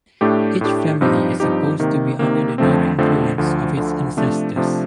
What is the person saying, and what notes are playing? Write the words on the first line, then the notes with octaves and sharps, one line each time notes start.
Each family is supposed to be under the direct influence of its ancestors.
A2 A3 D4 G4
A2 A3 D4 G4
G2 F3 C4 D#4 G4
G2 F3 C4 D#4 G4
C3 D#3 A#3
C3 D#3 A#3
F2 D3 F3 A3 C4
F2 D3 F3 A3 C4
D2 D3 F3
D2 D3 F3
C3 F3 A3 D4
C3 F3 A3 D4